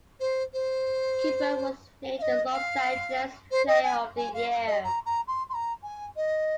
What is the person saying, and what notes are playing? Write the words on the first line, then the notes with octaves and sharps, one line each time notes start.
Cooper was named the Los Angeles Player of the Year.
C5
C5
F5
D#5
F5
C5
D#5
G#5
G#5
F5
D#5
A#5
A#5
C6
C6
A#5
G#5
D#5